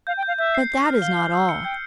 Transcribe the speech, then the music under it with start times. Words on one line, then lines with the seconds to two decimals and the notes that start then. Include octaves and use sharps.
But that is not all.
0.07 F5 G6
0.17 G5
0.23 G6
0.28 F5
0.38 E5 G6
0.55 C7
0.70 C7
0.86 F6
1.01 F5 G7
1.17 G7
1.33 E6
1.49 C#7
1.64 G5 G6